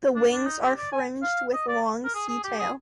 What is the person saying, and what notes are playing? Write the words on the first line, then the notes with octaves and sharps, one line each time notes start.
The wings are fringed with long setae.
D4
D4
D#4
G4
D5
G#5
F5
D#5
D5
A#4
G#4
G#4
G4
G#4